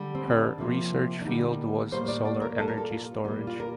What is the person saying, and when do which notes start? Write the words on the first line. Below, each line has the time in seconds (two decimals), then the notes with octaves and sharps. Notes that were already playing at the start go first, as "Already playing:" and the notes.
Her research field was solar energy storage.
Already playing: D3 G3
0.15 C4
0.27 C4
0.37 D4
0.58 C3 F3 A#3
1.21 D4
1.25 D3 G3 A#3 D#4
1.92 A2 G3 A#3 C5
2.08 D5
2.25 D5
2.42 A#4
2.58 A#2 G3 A#3 A4
2.68 A#4
2.78 A4
2.91 F4
3.24 A#2 G3 A#3 D#4
3.47 F4
3.60 A#4